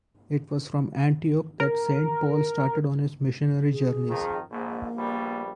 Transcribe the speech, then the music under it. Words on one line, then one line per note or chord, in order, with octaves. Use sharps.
It was from Antioch that Saint Paul started on his missionary journeys.
A#4
G#4
F2 D#3
A#1 G#2 A#3
A#1 G3 B3